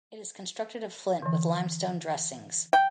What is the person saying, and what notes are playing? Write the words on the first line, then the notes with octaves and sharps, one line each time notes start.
It is constructed of flint with limestone dressings.
D3 E3
E5 G5